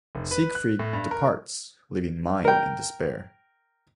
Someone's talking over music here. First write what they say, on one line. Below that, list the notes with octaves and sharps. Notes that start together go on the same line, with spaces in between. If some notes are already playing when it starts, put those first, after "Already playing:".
Siegfried departs, leaving Mime in despair.
F1
B4
F#6
A2
G2
A#4
A#4 G5